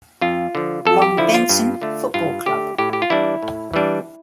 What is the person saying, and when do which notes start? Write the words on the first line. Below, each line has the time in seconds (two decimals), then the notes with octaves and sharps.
Longbenton Football Club.
0.21 F2 F4
0.55 D3 F3
0.85 F2 A4
1.02 G4
1.17 D3 F3 E4
1.34 F4
1.49 G2
1.82 D3 A3
2.14 G2 F4
2.46 D3 A3 G4
2.78 A2 G4
2.93 G4
3.02 F4
3.10 E3 G3 D4 E4
3.43 A2
3.73 E3 G3 D4